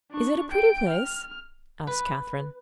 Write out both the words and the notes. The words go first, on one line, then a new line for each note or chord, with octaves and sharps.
"Is it a pretty place?" asked Catherine.
D4 C#6
G5 D7
F6
B4